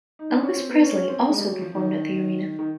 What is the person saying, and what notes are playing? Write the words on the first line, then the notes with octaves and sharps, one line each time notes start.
Elvis Presley also performed at the arena.
D#4
D4
C#4
C4
B3
C#4
C#4
C4
A#3
G#3
G3
F#3
F3
D#3
D#3